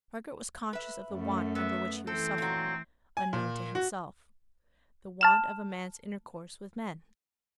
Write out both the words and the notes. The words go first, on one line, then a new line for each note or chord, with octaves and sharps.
Margaret was conscious of the want under which he was suffering, unknown to himself; the want of a man's intercourse with men.
B4 E5
F#2 A3
B3 E5
E3 C4 A4
A#2 F#3
G#5
A#2
F#4
A5 F6 E7